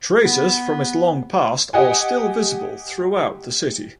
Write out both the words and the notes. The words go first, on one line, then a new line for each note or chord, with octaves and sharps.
Traces from its long past are still visible throughout the city.
B3
G4 D#5 F#5 G#5